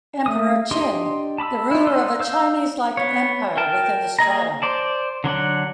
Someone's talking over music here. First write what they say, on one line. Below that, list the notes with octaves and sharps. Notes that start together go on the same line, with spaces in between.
Emperor Qin: The ruler of a Chinese-like empire within the strata.
A3 D#6
D4 G4 D#5 C6
A5 B5 D6 E6
E4 F4
D#4 D5 C6 E6
F5 E6 G6
B3 C#5
A#4 G5 A5
A#3 G#4 D#5 A#5
C5 D5 A5
D3 F#3 D4 F#5